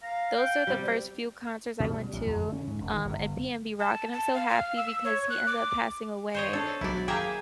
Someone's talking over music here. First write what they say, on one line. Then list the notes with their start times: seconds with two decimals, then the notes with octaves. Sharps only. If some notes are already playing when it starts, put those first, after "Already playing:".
those are the first few concerts I went to, um, and PnB Rock, and I'm so happy because he ended up passing away.
0.03 F5 A#5
0.37 G5
0.67 C3 G3 D5
1.80 B2
1.94 G3
2.13 A1
2.26 F2
2.40 D3
2.52 C#4
2.67 G#2
2.81 E1
2.93 D#3
3.05 G1
3.80 A5
4.14 A5
4.34 F5
4.49 F5
4.77 E6
5.04 C#5
5.30 F#6
5.47 D6
6.34 C5 C#5 D#5
6.53 D4 A4 C#5
6.81 B1 F#3 E4 D5
7.08 A#3 G#4 E5 G5 A#5